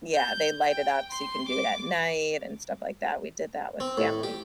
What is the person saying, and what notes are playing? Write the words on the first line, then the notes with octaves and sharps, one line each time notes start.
yeah, they light it up so you can do it at night, and stuff like that. We did that with family.
G6
G5
C6
D6
C4
A2
G4